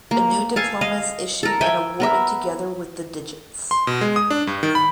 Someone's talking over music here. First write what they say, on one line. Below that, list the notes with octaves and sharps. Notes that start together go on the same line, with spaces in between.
A new diploma is issued and awarded together with the digits.
A#3
A4 F5 G#5
D#5 F5
A4 A#4
E5 G5 G#5
B3 A#4 E5
C6
B2
G#3
D#6
D4
G2
D#3
B5